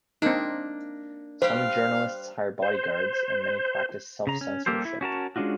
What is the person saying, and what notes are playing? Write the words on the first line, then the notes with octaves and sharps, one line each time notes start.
Some journalists hire bodyguards, and many practice self-censorship.
A#3 C4 D4 D#4
G3 G4 C5 F5
C5
C#3 A#5
C#4
G3 A#3 G4 A4 C5
E4
C#4 F#4 A#4 A5
G#3 C#4 D4 F4 F#4